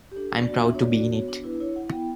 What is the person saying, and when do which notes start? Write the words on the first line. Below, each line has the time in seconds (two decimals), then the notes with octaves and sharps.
I'm proud to be in it.
0.12 G4
0.16 D4 A4
0.33 B3 D5
0.48 F#4
0.58 E5
0.65 D4
0.75 C#5
0.81 F#4 D5
0.96 F#4
1.12 B3 C#5
1.28 D4
1.44 E4 B4
1.60 E4 C#5
1.76 E4 F#5
1.92 B3 G5